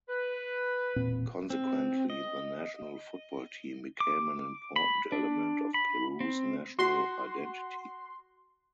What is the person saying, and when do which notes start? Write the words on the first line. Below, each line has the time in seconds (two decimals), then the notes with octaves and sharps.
Consequently, the national football team became an important element of Peru's national identity.
0.09 B4
0.96 E1 A#2 C4
1.50 C4
2.10 D#5
4.00 D6
4.76 B5
5.12 D4
5.74 B5
6.20 C4
6.79 F#4 C6